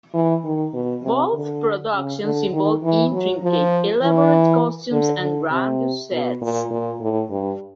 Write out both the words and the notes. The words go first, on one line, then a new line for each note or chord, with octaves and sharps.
Both productions involve intricate, elaborate costumes and grandiose sets.
E3
D#3
B2
C3
D3
C#3
D3
D#3
E3
F#3
F3
E3
D3
D3
C3
B2
A#2
A#2
A2
G2